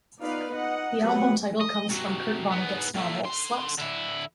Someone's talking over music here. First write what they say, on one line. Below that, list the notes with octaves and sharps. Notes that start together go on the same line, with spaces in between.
The album title comes from Kurt Vonnegut's novel "Slapstick".
B3 D#4 F4 B4 D5 F5
D#4 D#5 F#5
F#3 G3 B3 B4 F#5
D#5
C3 F#3
G#2 B3
A#2 A3
D3 C6
D3 E4